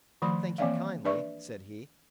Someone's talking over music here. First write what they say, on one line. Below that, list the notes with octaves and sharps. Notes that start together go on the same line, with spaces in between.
'Thank you kindly', said he.
D#3 F3 A3 B5 C6
E3 A#3 C4 D5 E5 F5
D4 B4 D5 E5 C#6